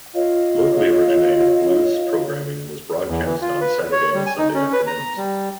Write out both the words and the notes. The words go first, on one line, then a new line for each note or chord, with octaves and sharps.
Locally originated blues programming was broadcast on Saturday and Sunday afternoons.
F4 C#5 D#5 F5
E2
E3
F4
B4
C#5
G3
G#5
D#4
C#4
B4
A#5
G3